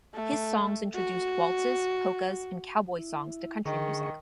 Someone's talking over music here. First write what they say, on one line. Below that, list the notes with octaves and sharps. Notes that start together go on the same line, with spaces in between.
His songs introduced waltzes, polkas, and cowboy songs to country music.
A3
F#4
E4
D3 D#3 G#4 C#6